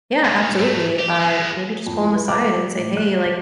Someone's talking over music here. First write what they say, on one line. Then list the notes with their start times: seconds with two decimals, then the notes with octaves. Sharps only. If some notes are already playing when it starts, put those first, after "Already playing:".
yeah, absolutely. Uh, maybe just pull him aside and say, "Hey, like,
0.25 A#2 C#3
0.59 G#2 A3
0.99 G4
1.21 G#3 B3
1.87 F2
2.01 E4
2.14 B4
2.28 D6
2.42 A4
2.56 G3
2.74 A2
2.97 F#6
3.24 G7